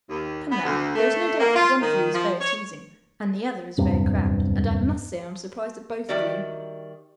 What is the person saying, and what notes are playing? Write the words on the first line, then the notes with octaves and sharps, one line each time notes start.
"Come, now, there is no doubt one of you is very teasing and the other is very crabbed, and I must say I am surprised at both of you."
D#2
B3
D2
A3
A#3
F4
D#3
F3
C#5
D1 E2 G2 C3
D#3 G3 F#4 D5 E5